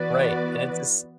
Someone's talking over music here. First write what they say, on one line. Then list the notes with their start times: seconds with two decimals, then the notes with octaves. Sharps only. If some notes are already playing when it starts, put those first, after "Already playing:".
Right, and it's a ci
Already playing: E3 B3 F#4 B4 D5